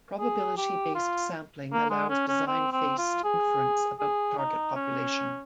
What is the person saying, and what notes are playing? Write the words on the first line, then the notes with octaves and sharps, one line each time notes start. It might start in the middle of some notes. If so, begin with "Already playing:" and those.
Probability-based sampling allows design-based inference about the target population.
G#4
G4
F4
A#3
G#3
C#4
C#4
C4
C4
F4
G#4
G#4
D#4
C#4